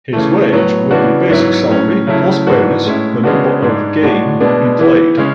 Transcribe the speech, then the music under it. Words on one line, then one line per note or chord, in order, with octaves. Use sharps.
His wage would be basic salary plus bonus per number of game he played.
C#3 E3 A3
A2 F#3 B3
C#3 E3 B3 D4 F#4
G#2 F#3 B3 E4
A2 F#3 C#4
C#3 F#3 A3 E4
G#2 E3 B3 D4 F#4
A2 G#3 C#4 E4
C#3 G#3 B3 D4 F#4
G#2 G#3 D4
A2 G#3 D4 F#4
B2 G#3 B3 D4
E3 B3 E4
C#3 G#3 C#4